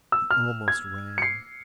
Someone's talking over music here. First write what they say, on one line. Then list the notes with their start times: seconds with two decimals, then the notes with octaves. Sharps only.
He almost ran.
0.12 E6
0.31 F6
0.68 G#6
1.18 C#7
1.22 C7